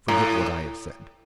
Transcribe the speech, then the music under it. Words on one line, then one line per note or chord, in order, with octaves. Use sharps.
Forget what I have said.
A2